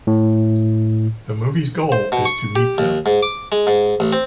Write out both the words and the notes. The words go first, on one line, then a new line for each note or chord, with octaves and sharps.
The movie’s goal is to meet them.
A2
C5
B2
C#6
G4
D#2
G#2
D6
G#3
G#2
A1
C4